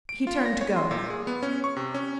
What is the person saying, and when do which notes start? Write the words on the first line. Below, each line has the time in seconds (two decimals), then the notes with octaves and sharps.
He turned to go.
0.09 D7
0.27 F4
0.46 A#6
0.61 C#5
0.76 C6
0.91 A#2
1.10 G#4
1.27 B3
1.43 C#4
1.64 C#6
1.76 C3
1.94 C#4